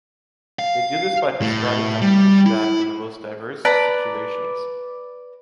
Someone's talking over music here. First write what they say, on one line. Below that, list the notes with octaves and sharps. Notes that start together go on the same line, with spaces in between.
They do this by prescribing how people should act in the most diverse situations.
F5
A2
G3
E4
B4 D5 A5 A#5